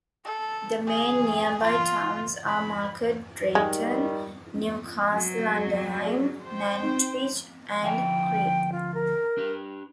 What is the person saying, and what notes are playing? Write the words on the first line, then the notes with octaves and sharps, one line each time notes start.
The main nearby towns are Market Drayton, Newcastle-under-Lyme, Nantwich and Crewe.
A4
G#4
F4
B5
D#3 G3 G#3
F#3
G#4
G#4 D5
C5 G5
C4 D#4
D2 F3 E5 G5
F4
A#4
D4 G4